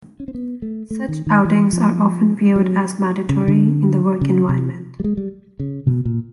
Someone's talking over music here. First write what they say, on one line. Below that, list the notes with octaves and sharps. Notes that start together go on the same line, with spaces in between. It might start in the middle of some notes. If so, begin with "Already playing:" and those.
Such outings are often viewed as mandatory in the work environment.
C#4
C4
B3
A3
A3
D#3
D#3
E3
F3
F#3
C#3
D3
C#3
C3
G3
G#3
G3
C#3
B2
A#2